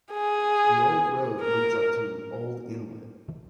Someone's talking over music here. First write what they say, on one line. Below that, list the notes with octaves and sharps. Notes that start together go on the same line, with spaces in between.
The old road leads up to Old Inlet.
G#4
A#4